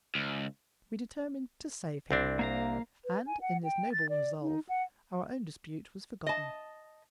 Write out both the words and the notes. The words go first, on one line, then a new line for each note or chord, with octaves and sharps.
We determined to save him, and, in this noble resolve, our own dispute was forgotten.
C#2
C2 C4 D4
A#3 F5 A#5
B4
G#5
F#5
G5
A6
D5
D#4
F#5
D#5 A5